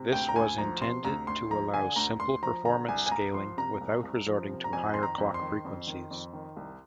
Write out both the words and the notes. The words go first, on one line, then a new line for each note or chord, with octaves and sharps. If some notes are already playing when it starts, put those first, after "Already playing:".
This was intended to allow simple performance scaling without resorting to higher clock frequencies.
Already playing: C3
D2 G5
A#5
D2 G#5
F3 A#5
C3 C6
D2 A#5
D2 C6
F3 A#5
D3 G#5
D2 A#5
D2 C6
F3 A#5
D3 A#5
C2 G#5
G#5
C2 A#5
F3 C6
C3 A#5
C2
C2
F3
C3
A#5
F2 G#5
D#3 C6
A#5
F2
C6
D#3
F2
D#3
F2
D#3
C2